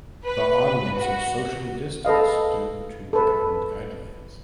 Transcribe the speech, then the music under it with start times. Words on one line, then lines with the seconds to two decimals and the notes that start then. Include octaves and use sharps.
The audience are socially distanced due to the Government guidelines.
0.24 B4
0.97 F#4
2.05 A4 B4 D#5 F5
3.13 A4 B4